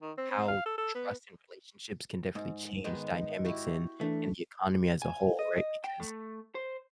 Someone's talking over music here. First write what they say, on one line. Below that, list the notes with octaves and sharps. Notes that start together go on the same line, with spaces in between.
how trust in relationships can definitely change dynamics in in the economy as a whole, right? Because,
D#3
C4
C4
F5
A4
A4
B3
G#2
D#3 G#3 B3 D#5
E4 F#4 G4
E3 A3 D4
G#5
D#5
G5
A3
C5